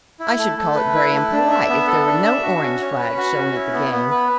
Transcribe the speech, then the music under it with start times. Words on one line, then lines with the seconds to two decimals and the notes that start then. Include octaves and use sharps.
"I should call it very impolite if there were no orange flags shown at the game."
0.20 E4
0.38 A3
0.57 A3
0.75 B4
0.95 E4
1.13 A3
1.32 D4
1.50 E5
1.69 B3
1.87 A4
2.06 D4
2.24 E5
2.43 F#4
2.62 C#4
2.80 C#4
2.98 B4
3.17 F#4
3.36 C#4
3.55 E4
3.73 B3
3.92 B3
4.11 B4